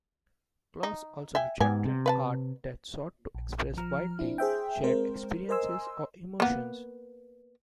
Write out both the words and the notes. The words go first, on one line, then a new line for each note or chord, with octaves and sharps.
Kloos also rejected art that sought to express widely shared experiences or emotions.
D#4
E5 G5 G#5
G#2 B3 G4 G#5
C3
B4 F#5 A5
A#1
F3 A#5 F6
C4 D4 E4
G#4 C5 E5 G5
G#3 C4 A#4 C5
A#4 C5 D#5 G#5 C6 E6
A#3 B3